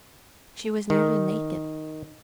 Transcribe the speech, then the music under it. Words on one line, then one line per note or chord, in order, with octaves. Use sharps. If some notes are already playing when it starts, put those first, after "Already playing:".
She was nearly naked.
D#3